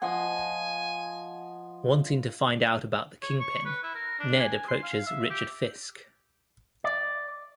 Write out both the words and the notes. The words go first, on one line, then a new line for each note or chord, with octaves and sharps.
Wanting to find out about the Kingpin, Ned approaches Richard Fisk.
F3 D#5 F#5 G#5
C#5
C#6
B4
E4
A#4
D4
G#5
C6
F5
E5
G4
D5